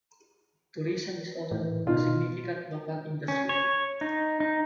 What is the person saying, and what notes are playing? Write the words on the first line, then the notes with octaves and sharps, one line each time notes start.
Tourism is also a significant local industry.
A2 E3
B2 D#4 F4
C#4
C#5
D#4
D#4